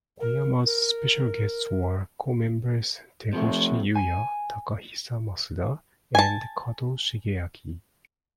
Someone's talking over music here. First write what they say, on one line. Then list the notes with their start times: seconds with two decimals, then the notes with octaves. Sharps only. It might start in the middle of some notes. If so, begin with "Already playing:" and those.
Koyama's special guests were co-members Tegoshi Yuya, Takahisa Masuda, and Kato Shigeaki.
0.20 A#4
0.66 A#4
3.33 C3 F3 A3
3.96 G#5
6.15 G#5 A5